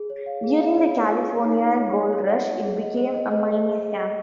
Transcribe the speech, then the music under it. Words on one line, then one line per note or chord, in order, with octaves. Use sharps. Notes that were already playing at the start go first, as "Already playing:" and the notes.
During the California Gold Rush, it became a mining camp.
Already playing: G#4
C#5
F5
G#4
F5
C#5
G#4
F4
C#5
D#4
D#4
C#5
C#5
C#5
F#5
C#5
G#4
D#5
C5
D#5
D#5
G#4
G#4
D#5
D#5